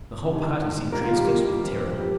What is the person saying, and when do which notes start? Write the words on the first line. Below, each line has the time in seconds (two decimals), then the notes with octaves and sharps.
The whole party seemed transfixed with terror.
0.22 C2 C3 D#3
0.92 A#3 A#4
1.04 F4
1.16 G3 G4
1.28 A#3 A#4
1.63 G2 F3 C4
1.98 G3 G4